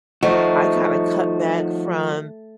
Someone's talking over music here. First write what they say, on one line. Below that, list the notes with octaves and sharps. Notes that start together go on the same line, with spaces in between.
I kinda cut back from
F3 A3 D#4 F#4 C5